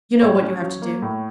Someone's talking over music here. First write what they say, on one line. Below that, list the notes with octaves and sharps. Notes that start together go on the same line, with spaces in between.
You know what you have to do.
A2 C#5
C#4
F#3
A#3
A2